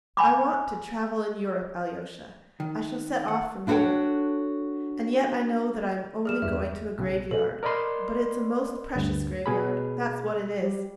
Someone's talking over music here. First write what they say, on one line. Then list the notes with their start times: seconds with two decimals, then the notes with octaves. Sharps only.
I want to travel in Europe, Alyosha, I shall set off from here. And yet I know that I am only going to a graveyard, but it's a most precious graveyard, that's what it is!
0.17 G#5 B5 D6
2.60 D#3
3.28 F#5
3.67 D4 E4 F#4 A4 C#5 G5
6.25 G3 G#4 D5 F6 E7
6.42 E2 G2 E5
6.99 B1 C#3 G5
7.31 B2 G#3 A4
7.63 A#4 D5 D#5 B5 C6
8.96 D2 G2
9.46 B2 G#4 B5
10.59 G3